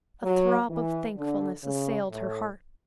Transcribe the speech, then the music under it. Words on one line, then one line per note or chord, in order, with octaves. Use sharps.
A throb of thankfulness assailed her heart.
F#3
E3
D3
C#3
A2